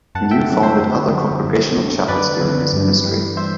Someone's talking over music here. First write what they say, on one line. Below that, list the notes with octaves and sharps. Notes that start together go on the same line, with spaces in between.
New founded other Congregational chapels during his ministry.
F#2 F#5 A5
E5 G5
D3 F#3
C5 E5
F#2
D3 F#3
F#2
D3 F#3
F#2 B4 D5
D3 F#3
G2
E3 G3
C5 E5